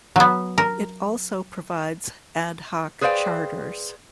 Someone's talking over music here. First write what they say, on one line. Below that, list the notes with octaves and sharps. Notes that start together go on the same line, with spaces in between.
It also provides ad-hoc charters.
F#3 B3
A#4
G#4 B4 C5 D5 F5 G5